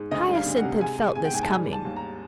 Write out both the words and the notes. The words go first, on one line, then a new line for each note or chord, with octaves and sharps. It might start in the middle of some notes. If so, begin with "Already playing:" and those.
Hyacinth had felt this coming.
Already playing: G#2
D2 D#5
G3
F5
D2
F#5
C3
G#3 G#5
G#3
G#3 G#5
G5
G#2 G#5
A5
G3 G#5
G3
A5
D#2
A#5